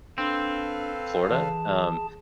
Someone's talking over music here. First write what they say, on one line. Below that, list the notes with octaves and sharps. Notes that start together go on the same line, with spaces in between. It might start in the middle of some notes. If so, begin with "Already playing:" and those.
Florida, um,
C4 D4 A4 B4 F5
E3 G#4 A5